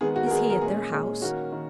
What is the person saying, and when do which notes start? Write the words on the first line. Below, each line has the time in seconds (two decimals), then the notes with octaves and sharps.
"Is he at their house?"
0.01 D#3 G#3 B3 G#4
0.16 F#4
0.26 A#4
0.31 D#3 G#3 B3 G#4
0.50 A#4
0.61 A#2 G#3 C#4 G#4
0.91 A#2 G#3 C#4
1.22 D#3 A#3 C#4 F#4
1.52 D#3